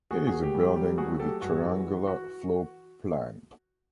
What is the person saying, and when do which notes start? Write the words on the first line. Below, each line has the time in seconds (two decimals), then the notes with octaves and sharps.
It is a building with a triangular floor plan.
0.11 D#2 F#4 G#4
0.27 F#4 G#4
0.32 D#2
0.43 G4
0.54 G3
0.60 G4
0.76 F#3 G4
0.98 A3 F#4 G#4
1.19 F#3 G4 A4
1.41 G2 F#4 G#4
1.63 E3
1.85 E3
2.07 F#4